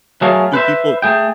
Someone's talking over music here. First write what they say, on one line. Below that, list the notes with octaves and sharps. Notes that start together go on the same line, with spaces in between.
do people
F#3 A3 G#4 A#4 F5
B4 C5 E5
A3 G#4 G5